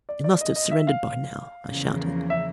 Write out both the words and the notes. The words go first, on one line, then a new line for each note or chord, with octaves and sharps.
"It must have surrendered by now," I shouted.
D5
D5
D#5
D#5
E5
F5
E2 C#3 F3 A#3
E5